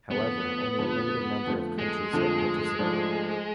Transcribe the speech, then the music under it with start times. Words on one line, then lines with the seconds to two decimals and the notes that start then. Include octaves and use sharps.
However, only a limited number of countries yet participate.
0.10 F2 D3 F3 A3 B3
0.78 F2 D3 F3 A3
1.45 F2 D3 F3 A3
1.78 G#3
2.12 F2 D3 F3 A3
2.79 G#2 F3 A3 D4 G#4